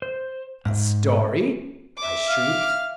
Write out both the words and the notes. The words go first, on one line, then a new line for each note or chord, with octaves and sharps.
"A story!" I shrieked.
C5
G#2
E5 D6
F5